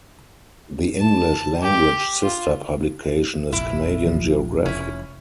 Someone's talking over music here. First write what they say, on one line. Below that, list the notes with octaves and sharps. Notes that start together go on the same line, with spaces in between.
The English-language sister publication is "Canadian Geographic".
A5
G4
F4
F1 A#1 E4
F3
F1 C#4 E4